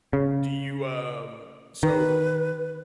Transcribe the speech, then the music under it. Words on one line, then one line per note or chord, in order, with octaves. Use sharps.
Do you, um so,
C#3
D#3 B4